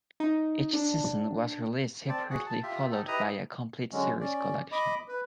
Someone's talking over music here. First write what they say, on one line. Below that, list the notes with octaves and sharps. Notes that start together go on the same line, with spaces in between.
Each season was released separately followed by a complete series collection.
D#4
D4
C4 D5 A5
F#4 G#4 F#5
A5
F4 G4 E5
D#4 G4 A4
E4 G4 B4 D#5 A#5 D#6
D3 F#3 G#3 C#4
C#4 D5
D#5 B5 D6
B4